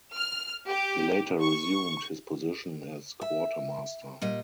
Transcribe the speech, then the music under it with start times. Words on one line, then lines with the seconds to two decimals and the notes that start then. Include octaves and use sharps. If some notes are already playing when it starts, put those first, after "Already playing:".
He later resumed his position as quartermaster.
0.12 F6
0.68 G4
1.42 C#6
3.21 E5
4.22 A#2 G3 D#5